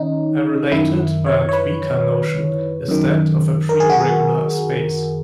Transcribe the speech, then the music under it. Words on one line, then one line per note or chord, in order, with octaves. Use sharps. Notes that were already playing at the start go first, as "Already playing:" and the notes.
A related, but weaker, notion is that of a preregular space.
Already playing: D#3 C#4 D#4
F#2 D#3 E4
C#5
C#5
B4
F#2 D#3
A#4
G#4
F#4
G#4